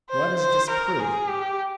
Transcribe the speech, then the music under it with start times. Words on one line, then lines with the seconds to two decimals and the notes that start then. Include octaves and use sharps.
What does this prove?
0.10 C5
0.39 C5
0.70 A#4
1.00 G#4
1.30 G4